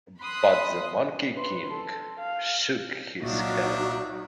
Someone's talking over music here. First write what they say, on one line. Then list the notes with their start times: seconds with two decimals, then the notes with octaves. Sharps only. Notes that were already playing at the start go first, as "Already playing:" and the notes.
But the Monkey King shook his head.
0.20 B5 C6 D#6 F#6
1.33 B4 C6
1.71 A4
2.19 F5
3.22 C2 A#2 F#3 D4 D#4 F#4 E5 F5